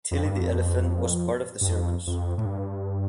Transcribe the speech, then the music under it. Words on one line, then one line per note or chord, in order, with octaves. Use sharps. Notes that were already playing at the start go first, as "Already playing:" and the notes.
Tillie the elephant was part of the circus.
F2
G2
F2
G2
F2
F2
A2
G2